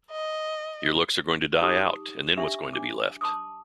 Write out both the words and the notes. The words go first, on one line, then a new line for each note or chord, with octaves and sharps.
Your looks are going to die out, and then what's going to be left?
D#5
D#4 G4 D6 D#6
D4 G4 E5
D4 D6
A5 C6 D6 D#6